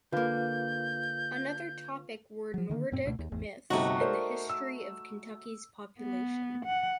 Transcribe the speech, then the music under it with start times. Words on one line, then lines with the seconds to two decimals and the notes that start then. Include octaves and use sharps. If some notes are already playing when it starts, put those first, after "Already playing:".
Another topic were Nordic myths and the history of Kentucky’s population.
0.12 D3 A#3 F4 B4 F5 G6
2.54 F3 F#3
2.70 D3 D#3 A3 A#3
2.92 F#2 A#2 C4
3.05 C#2 G2 B2 A3
3.19 D#2
3.32 G#1 E2
3.70 G1 C3 A3 D#4 F#4
4.01 A#4 C5 D5
4.49 E6
6.00 B3
6.66 F#5